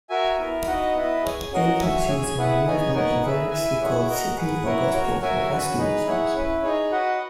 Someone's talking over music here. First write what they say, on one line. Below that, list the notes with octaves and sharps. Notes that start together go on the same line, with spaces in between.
Agencies in the movement are variously called "City" or "Gospel" or "Rescue" Missions.
F#4 A#4 E5 G#5
B3 E4 A#4
D#4 F#4 B4 D#5 F#5
B3 E4 B4 D#5
G#4 C#5 G#5
C#4 F#4 A#4 D#5 F#5
F#4 C#5 E5 G#5
G#4 C#5 G#5
B3 E4 G#4 B4 F#5
B3 D#4 G#4 C#5 G#5
B3 D#4 A#4 C#5 F#5
G#4 B4 E5
E4 B4 E5 G#5
E4 G#4 C#5 F#5
F#4 A#4 D#5 F#5
G#4 B4 F#5
C#4 E4 A#4 C#5 F#5
F#4 A#4 C#5
F#4 A#4 C#5 E5 G#5
C#4 F#4 B4
D#4 G#4 B4
E4 G#4 C#5 F#5
C#4 E4 B4
D#4 G#4 C#5
F#4 B4 D#5 F#5